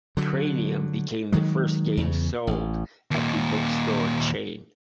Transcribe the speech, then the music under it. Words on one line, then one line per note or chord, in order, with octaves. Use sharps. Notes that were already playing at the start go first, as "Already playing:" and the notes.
"Cranium" became the first game sold at the bookstore chain.
D3 F#3
D#3 F#3 G#3
E2 C#3
A1
D#2 A#2